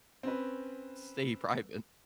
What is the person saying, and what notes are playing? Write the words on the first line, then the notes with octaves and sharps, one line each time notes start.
stay private.
C4 C#4 B4